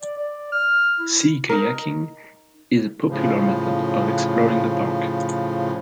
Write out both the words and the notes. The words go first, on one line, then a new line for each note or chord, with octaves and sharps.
Sea kayaking is a popular method of exploring the park.
D5
D5
F6
E4
D#4 A#4
A2 C#3 F3